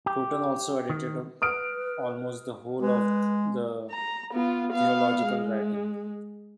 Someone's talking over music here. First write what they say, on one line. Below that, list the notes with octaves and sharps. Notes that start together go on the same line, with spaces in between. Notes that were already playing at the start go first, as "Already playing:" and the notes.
Churton also edited almost the whole of the theological writings.
G4
D#3
B4 D#6 F6 D7
G#3 B4
A#5
B3 F4
B3 F5
G#3